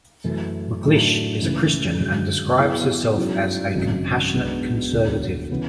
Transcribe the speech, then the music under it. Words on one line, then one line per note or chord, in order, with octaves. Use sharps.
McLish is a Christian and describes herself as a compassionate conservative.
F#2 E3 A3
A2 F#3 A3 D4 F#4
C#2 C#3 E3 A3
F#2 D3 G#3
B2 F#3 B3 E4 G#4
G#2 F#3 C#4 E4
G#1 F#2 C#3
B1 B2 G#3 B3 D4
E1 D2 D3
C#3 E3 B3